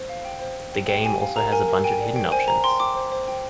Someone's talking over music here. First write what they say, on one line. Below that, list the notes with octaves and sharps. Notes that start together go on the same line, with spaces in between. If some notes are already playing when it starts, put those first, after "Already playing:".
The game also has a bunch of hidden options.
Already playing: C5
F5
G5
C5
C5
G5
G4 G5
G4 G#5
F5
A#4 A#5
A#4 G#5
A#4
G5 G#5
D5
G5
C5 G#5
C5 A#5
G5 C6
G5 D6
C5
C5
G5